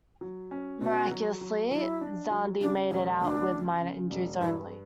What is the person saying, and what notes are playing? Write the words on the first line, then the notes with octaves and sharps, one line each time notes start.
Miraculously, Zandi made it out with minor injuries only.
F#3
C#4
B2 F#4
F#3
F#3
F#3 E4
D4
F#3
C#3 D4
E1 C#4
D2 D4
C#3
C#3
E1
G2 E4